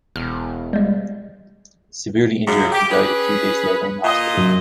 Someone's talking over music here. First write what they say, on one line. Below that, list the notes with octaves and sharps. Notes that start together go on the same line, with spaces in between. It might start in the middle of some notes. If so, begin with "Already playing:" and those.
Severely injured, he died a few days later in hospital.
E1 F6
G3 G#3
F#2 C#3
G4
C#4 G#4 B4
A#2 F4 D#5
F#2